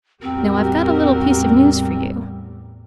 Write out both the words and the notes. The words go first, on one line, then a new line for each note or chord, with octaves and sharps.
Now I've got a little piece of news for you.
E2 A2 G3 C4 F#4 G4 A#4